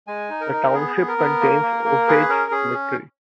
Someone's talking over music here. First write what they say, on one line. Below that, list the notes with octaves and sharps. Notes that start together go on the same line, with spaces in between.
The township contains Osage Cemetery.
G#3 G#5
D#4
A#4
D#4
B3 G#4
B3
A#4
B3
A#3
A#3
A#3
G#4 B4
C#4 A#4
C#4 G#4